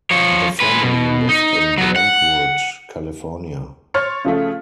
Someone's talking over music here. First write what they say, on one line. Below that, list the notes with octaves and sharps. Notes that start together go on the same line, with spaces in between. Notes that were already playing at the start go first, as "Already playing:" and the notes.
The family lived in Brentwood, California.
F3 C#5
G#3 B4
B2
D#4
F#3 B3
F#5
C#5 C6 F6 A6 C#7
C#3 F3 A3